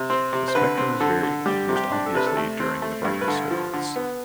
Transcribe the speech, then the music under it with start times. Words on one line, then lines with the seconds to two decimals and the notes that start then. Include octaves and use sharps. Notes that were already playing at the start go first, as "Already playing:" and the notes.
The spectrum is variable, most obviously during the brightness fades.
Already playing: C3
0.10 C4
0.33 C3
0.48 C5
0.55 D3 B4
0.78 C4
1.00 D3 A4
1.23 D3
1.46 G3 G4
1.69 C3
1.76 G4
1.92 D4
2.06 A4
2.14 C3 B4
2.27 A4
2.37 A3
2.60 C4
2.82 A3
3.05 G2
3.21 B4
3.28 D3 A4
3.51 F3
3.73 D3
3.96 B3